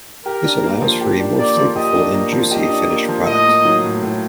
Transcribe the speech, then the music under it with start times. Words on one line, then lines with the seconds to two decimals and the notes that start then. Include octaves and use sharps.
This allows for a more flavorful and juicy finished product.
0.25 G4 A#4
0.45 D4
0.63 A#3
0.82 F3
1.01 G4
1.20 D4
1.39 A#3 D5
1.57 F3
1.76 G4 D#5
1.95 D4
2.14 A#3
2.32 F3
2.51 G4 D#5
2.70 D4
2.89 A#3
3.09 F3
3.26 A2 D#5
3.46 A#3
3.65 F#3
3.84 A2
4.03 A2